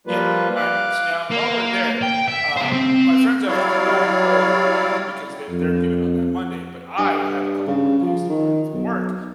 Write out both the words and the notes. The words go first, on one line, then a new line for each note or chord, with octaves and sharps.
Yeah, alright, so now, while we're there, uh, my friends have to come back earlier, uh, because they they're leaving on that Monday, but I have a couple more days to burn from work
F3 G3 A#3 F4 B4
F5 D6 F#6
A#3
G5
E5
C#3 C5
C4
F#3 G3 E4 C#5 D5 F5
F2
G2
C#3
F3
D#3
B1